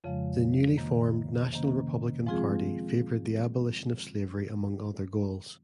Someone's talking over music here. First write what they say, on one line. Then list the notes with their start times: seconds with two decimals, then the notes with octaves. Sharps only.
The newly formed national Republican Party favored the abolition of slavery among other goals.
0.04 F2 C#3 F3 G#3
0.77 C3 D#3 A#3
1.52 C3 D#3 A#3 C#4
2.27 F3 G#3 C4 F4 G#4